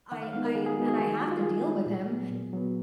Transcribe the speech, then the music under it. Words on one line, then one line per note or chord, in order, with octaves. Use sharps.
I I and I have to deal with him,
D#3 F#5
F5
G#3 B3 D#4 F5
A#4
D#3 G#4
G#4
G#3 B3 D#4 F#4
G#4
D#3 G#4
F#4
G#3 D#4 F4
F4
D#3 G#4
G#3 D#4
A#2
F#3 B3
A#2
F#3 B3